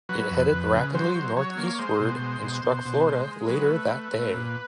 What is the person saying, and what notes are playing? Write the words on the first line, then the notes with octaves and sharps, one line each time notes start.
It headed rapidly northeastward and struck Florida later that day.
F#3 B4
F2
F2
C#3
F#3 C5
F#3
F#3 C#5
A#3
C#5
G#3 C5
B2
G#3
B2
B2
B2
G#3
G#3
F#3 B4
A3
A3
A3
A#2